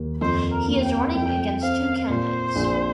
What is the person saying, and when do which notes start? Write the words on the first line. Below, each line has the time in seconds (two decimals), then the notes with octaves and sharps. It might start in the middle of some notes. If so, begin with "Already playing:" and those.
He is running against two candidates.
Already playing: D#2
0.21 F2 C5
0.52 A#4
0.68 A#3
0.83 G5
1.15 F2 G5
1.62 C4 F5
2.09 A#2 C5
2.56 A#1